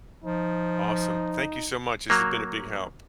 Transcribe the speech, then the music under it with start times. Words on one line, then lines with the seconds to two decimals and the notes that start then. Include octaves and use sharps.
Awesome. Thank you so much, this has been a big help.
0.24 F3 D#4
2.10 F#3 A#3